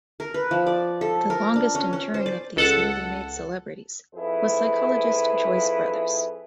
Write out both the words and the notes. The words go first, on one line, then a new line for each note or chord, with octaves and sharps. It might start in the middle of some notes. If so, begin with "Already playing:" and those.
The longest enduring of these newly made celebrities was psychologist Joyce Brothers.
A#4
B4
F3
D5
A4
A#4
D4
C#4
C#4
C5
D5
C#2 A4 F#5
F2 F3 E4 G#4 B4